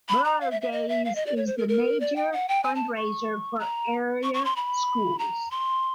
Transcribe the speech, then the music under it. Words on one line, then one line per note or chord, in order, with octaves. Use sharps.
Burro Days is the major fundraiser for area schools.
B5
A#5
F5
E5
E5
D#5
E5
F5
D#5
D5
C#5
C5
A#4
A#4
D5
G5
F#5
G5
G#5
A5
C#6
A#5
C#6
C#6
C6
B5
A#5
C6